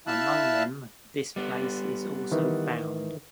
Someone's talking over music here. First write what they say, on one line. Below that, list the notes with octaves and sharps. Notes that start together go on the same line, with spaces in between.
Among them this place is also found.
E4 E5 F5 A5 E6 F#6
G3 B3
D#3 E3